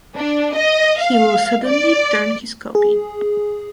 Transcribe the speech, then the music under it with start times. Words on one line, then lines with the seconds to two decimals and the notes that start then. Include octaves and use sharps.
He will suddenly turn his copy.
0.16 D4
0.56 D#5
1.01 F5
1.66 D5
2.75 G#4